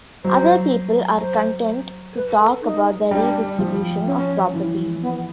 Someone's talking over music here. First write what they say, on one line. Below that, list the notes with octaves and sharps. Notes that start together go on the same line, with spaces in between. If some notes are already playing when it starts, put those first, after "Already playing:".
Other people are content to talk about the Redistribution of Property.
F#3 C5
C5
B4
A4
D#4
G3 D4
F3
C#4
E3
B3